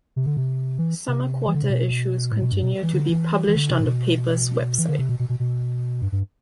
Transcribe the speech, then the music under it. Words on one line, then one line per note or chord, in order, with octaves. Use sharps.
Summer Quarter issues continue to be published on the paper's website.
C3
D3
C3
E3
C3
E3
D3
C3
B2
A2
B2
G2
B2
E3
D3
E3
E3
D3
C3
A2
B2
E3
D3
C3
B2
B2
B2
B2
G2
G2